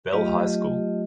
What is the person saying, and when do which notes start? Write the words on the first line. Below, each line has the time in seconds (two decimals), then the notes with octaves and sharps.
Bell High School.
0.13 F#3 A3 F4 G4 D#5